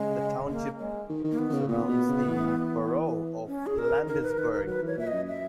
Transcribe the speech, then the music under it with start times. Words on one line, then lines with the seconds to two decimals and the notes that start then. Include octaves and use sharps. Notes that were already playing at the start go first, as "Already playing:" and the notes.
The township surrounds the borough of Landisburg.
Already playing: C#3 G#3
0.49 A#3
0.79 G#3
1.09 D#3
1.24 D#3
1.31 A#3
1.39 D#3 B3
1.50 D#3
1.54 C#3
1.68 A#2 B3
1.89 B2
2.09 C#3
2.28 E3
3.47 C#4
3.67 G#4
3.78 A#4
4.07 D#3 A#4
4.23 B4
4.31 A#4
4.37 D#3 B4
4.53 A#4
4.67 F#3 B4
4.82 E3 C#5
4.97 A#2 E5
5.07 D#5
5.13 F#2
5.28 E5